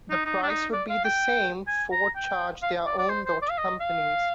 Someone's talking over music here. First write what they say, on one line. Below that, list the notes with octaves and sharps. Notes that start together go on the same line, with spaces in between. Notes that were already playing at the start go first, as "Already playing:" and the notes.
The price would be the same Ford charged their own daughter companies.
D#4
D#4
D4
D#4
D5
F5
G5
G#5
A#5
G5
F5
D5
D5
C5
C5
D5
F5
D#5
F5